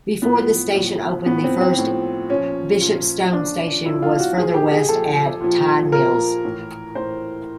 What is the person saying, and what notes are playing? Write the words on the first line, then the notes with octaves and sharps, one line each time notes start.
Before this station opened the first Bishopstone station was further west at Tide Mills.
A2 F3 B3
A2 F3
A2 F3 B3
C4
C4
A2 F3
A#2 F3 C#4
A#2 F3
A#2 F3 D4
A#2 F3 E4
F4
F#4
A#2 F3 G#4
G4
G#4
A#2 F3 A4
A#2 F3
A#2 F3 A#4
A2 E3
A2 E3 C5